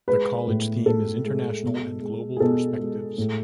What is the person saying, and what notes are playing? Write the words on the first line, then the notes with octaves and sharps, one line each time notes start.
The college theme is "International and Global Perspectives".
G#3 B4
A2
G#3 A4
G#3
B2
G#3
G#4
B2 A4
G#3
A2